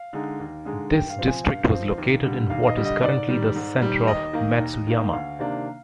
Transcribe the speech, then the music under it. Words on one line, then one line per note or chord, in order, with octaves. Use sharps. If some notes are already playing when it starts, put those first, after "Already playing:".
This district was located in what is currently the center of Matsuyama.
Already playing: F5
D3 G#3 D#4
D#2
D3 G#3 D#4
G2 G5
F5
F3 C4
G#5
G2 F5
F3 C4
D#2
D3 G3
D#2 F5
F5
D#5
D3 G3
D#5
G#2 D5
D#3 G3
G#2
D#3 G3
D#2 D#5
D#3 A#3
D#2
D#3 A#3
D2 F5
C3 D#3 A#3 D4